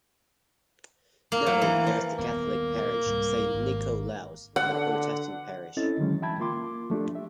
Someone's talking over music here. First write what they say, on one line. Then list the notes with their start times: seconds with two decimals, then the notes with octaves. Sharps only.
Now there is the Catholic parish "Saint Nikolaus" and a Protestant parish.
1.32 A#3
1.46 F#3
1.62 E3
1.87 F3
2.19 D#1 A#3 B3
3.06 C2 G#2
3.54 G#1 G#2
4.56 D3 F#5
5.77 C4 C#4 E4 A4 D#5 A6
5.98 D3 D#3 F#3 G#3 C#4
6.22 E3 E5 G5 A5 B5 G#6
6.40 A#3 F4 C6 D6
6.90 F3 A3 D4 G4
7.15 E5